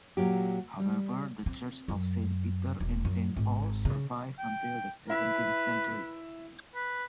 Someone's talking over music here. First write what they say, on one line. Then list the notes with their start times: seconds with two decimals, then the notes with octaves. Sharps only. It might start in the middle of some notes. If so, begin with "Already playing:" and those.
However, the church of Saint Peter and Saint Paul survived until the seventeenth century.
0.17 A#2 F#3 G4
0.80 G3
1.46 C4
1.88 F#2
2.80 E1
3.05 F#2
3.37 G#1
3.85 C#3
4.38 G5
5.10 E4 B4 E5
6.75 B4